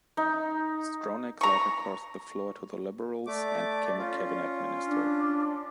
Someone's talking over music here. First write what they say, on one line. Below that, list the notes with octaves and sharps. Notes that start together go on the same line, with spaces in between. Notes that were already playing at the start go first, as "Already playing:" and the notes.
Stronach later crossed the floor to the Liberals and became a cabinet minister.
D#4
A#5 C#6
A3 D5 D6
C#4 F4
D4